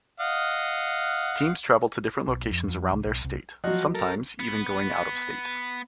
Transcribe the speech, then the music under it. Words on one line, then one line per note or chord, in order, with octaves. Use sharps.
Teams travel to different locations around their state, sometimes even going out of state.
D#5 F5 F#5
B1
F2
F2
C2
B1
C2
F3 F#3 F#4 D#5
A4 A#4
B3